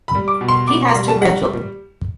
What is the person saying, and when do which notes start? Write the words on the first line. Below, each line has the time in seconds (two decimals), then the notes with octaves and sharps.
He has two grandchildren.
0.08 B5
0.15 G3
0.28 D6
0.41 B2
0.48 C6
0.67 B2 D6
0.88 C6
0.95 G3
1.08 A5
1.22 G3 F#5